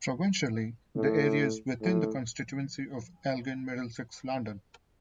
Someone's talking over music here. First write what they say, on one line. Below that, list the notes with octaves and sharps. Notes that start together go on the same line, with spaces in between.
Provincially, the area is within the constituency of Elgin-Middlesex-London.
A2
A2